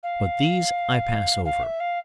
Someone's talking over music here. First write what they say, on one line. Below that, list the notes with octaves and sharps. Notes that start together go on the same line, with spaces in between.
But these I pass over.
F5
F5
E5
F5